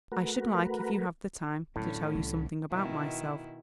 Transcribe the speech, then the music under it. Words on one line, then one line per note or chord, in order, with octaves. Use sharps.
I should like, if you have the time, to tell you something about myself.
A3 F#4 A#4 B4
A2 D3 F#3 A3 C#4
C2 E3
B2 D#3 E4